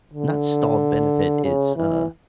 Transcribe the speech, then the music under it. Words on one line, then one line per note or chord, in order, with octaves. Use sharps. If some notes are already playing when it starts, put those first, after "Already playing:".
not stalled benefit. It's, uh
D3
C#3
E3